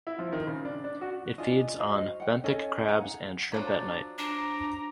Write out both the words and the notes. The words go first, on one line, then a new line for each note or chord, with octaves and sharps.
It feeds on benthic crabs and shrimp at night.
E4
F3
D#3
C#3
D4
D4
F#4
D4 F4 G#4 D#5
F#4 C5 D#5 F5
F#5 G5
C#4 A4 D#5 G#5
G#4 F5 F#5 A#5
D#3 F3 F#3 D4
D4 A#5 D6